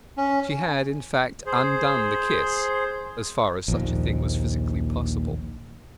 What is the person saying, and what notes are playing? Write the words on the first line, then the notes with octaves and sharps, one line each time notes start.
She had, in fact, undone the kiss, as far as such a thing was physically possible.
C#4
G#4 C5
A#1 D#2